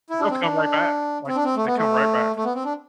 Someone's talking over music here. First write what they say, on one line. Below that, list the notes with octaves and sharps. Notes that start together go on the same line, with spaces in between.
They'll come right back, like, they come right back.
E4
D4
C4
D4
C4
D4
C4
A3
B3
A3
A3
B3
C4
D4